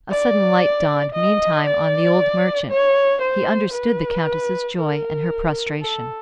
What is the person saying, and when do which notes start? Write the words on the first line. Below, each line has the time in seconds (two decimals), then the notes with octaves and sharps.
A sudden light dawned meantime on the old merchant; he understood the Countess's joy and her prostration.
0.11 D5
1.14 D#5
1.66 D5
2.70 C#5
3.20 C5
3.73 B4
4.77 A#4
5.80 A4